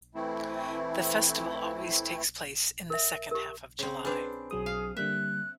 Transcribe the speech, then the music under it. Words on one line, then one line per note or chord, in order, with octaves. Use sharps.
The festival always takes place in the second half of July.
E3 A3 C4 E4
A#4 E5
G4 A#4
C#3 C4
C4 D4 G#4 B4
B1 F#3 G#4 D#6
F5
D3 G3 A#3 E5 F#6